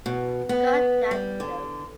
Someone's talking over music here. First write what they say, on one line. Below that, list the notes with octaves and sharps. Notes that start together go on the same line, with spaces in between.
Got That Dope.
B2
B3
G3
D3